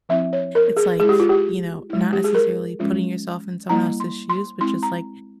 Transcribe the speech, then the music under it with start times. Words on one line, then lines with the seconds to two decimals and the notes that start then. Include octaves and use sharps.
It's like, you know, not necessarily putting yourself in someone else's shoes, but just, like,
0.09 F3 C4 E4 E5
0.33 C#5
0.55 A#4
0.77 G#4
1.00 G#3 E4 G#4
1.09 G4
1.20 F4
1.29 G4
1.90 G#3 E4
2.13 G4
2.24 G#4
2.35 A#4
2.79 F3 G#3 C#4 F4
3.69 G3 A#3 E4 A#5
4.00 C6
4.29 C6
4.60 G#3 C4 E4 C6
4.83 A#5